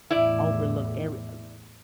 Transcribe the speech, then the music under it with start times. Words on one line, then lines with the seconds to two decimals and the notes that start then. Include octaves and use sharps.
overlooked every, uh
0.10 E2 A2 E4 D5